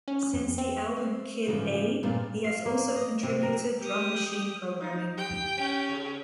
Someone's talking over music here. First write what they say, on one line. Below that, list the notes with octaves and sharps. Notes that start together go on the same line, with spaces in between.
Since the album "Kid A", he has also contributed drum machine programming.
C#4
F2
C4
C4
G#2 C#3 E3 F3 G3
G2 A#2 G3 C4 D4 F4
F5
A#3
D#5
C3
A#4
G4 D#6
D#4
G4 G5
C#4
C#3